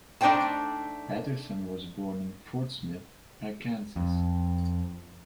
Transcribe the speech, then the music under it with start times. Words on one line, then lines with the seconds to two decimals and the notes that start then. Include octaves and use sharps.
Patterson was born in Fort Smith, Arkansas.
0.21 A3 D4 D#4 C5 G5 A5
3.96 F2